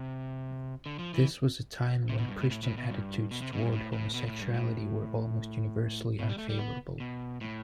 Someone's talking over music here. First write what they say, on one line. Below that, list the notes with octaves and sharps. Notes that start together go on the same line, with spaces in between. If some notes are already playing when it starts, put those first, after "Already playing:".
This was a time when Christian attitudes toward homosexuality were almost universally unfavorable.
Already playing: C3
D3
F3
E3
C3
B2
G2
A2
A2
A2
B2
G2
B2
C3
B2
G2
A2
A2
B2
A2
G2
A2
B2
G3
A3
G3
B3
B2
A2